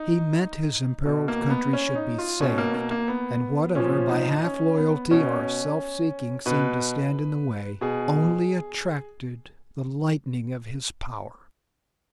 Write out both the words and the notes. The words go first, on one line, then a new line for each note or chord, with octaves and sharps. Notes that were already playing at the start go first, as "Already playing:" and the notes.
He meant his imperiled country should be saved, and whatever by half-loyalty or self-seeking seemed to stand in the way only attracted the lightning of his power.
Already playing: D#4
B2
A#3
B3
C#4
D#4
F4
B2 C#4
A#3
A#3
A#3
B3
A#2 F3 C#4
D#4
C#4
B3
B2 C#4
B2 B4
B2 G#4